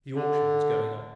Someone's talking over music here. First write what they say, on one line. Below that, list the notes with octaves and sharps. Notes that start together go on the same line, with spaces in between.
The auction was going on.
D3